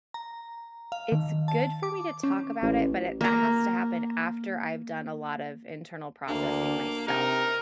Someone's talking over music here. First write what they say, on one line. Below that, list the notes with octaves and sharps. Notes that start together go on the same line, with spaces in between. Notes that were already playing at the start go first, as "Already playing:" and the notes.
it's good for me to talk about it, but it that has to happen after I've done a lot of internal processing myself.
A#5
F5
D#3
A5
D6
C#4
A1
A#3 A#5
D2 A#3 D4
C3 D#4 A#4